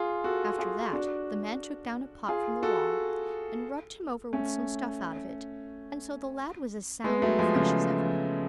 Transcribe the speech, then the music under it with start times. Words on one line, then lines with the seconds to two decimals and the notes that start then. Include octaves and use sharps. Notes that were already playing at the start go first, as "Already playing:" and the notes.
After that the man took down a pot from the wall, and rubbed him over with some stuff out of it, and so the lad was as sound and fresh as ever.
Already playing: F4 G#4
0.24 F#4 A4
0.58 F4 G#4
0.93 D4 F#4
2.28 F4 G#4
2.63 F#4 A4
4.33 A3 C#4
7.04 G#3 B3
7.22 F#3 A3
7.39 F3 G#3
7.55 C#3 F3